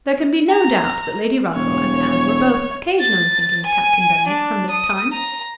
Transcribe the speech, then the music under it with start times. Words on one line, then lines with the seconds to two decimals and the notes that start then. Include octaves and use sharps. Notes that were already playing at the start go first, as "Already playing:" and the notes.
There can be no doubt that Lady Russell and Anne were both occasionally thinking of Captain Benwick, from this time.
0.50 A#5
1.56 E1 C#5
3.00 A6
3.66 G#5
4.27 D4
4.70 D#6
5.12 A#5